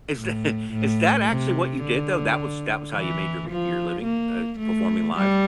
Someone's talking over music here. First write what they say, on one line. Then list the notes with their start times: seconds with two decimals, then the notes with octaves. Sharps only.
Is that is that actually what you did though? That was that was how you made your r your living, uh, performing live?
0.18 A2
0.73 A2
1.29 C3
1.83 D3
2.94 E3
3.49 F3
4.03 A#3
4.58 A3
5.14 G3